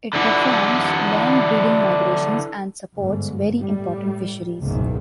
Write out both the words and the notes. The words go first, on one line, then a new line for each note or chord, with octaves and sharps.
It performs long breeding migrations and supports very important fisheries.
D3 E3
G1 G#2
A2 G3
F#1 C#2 G#2 B2 D#3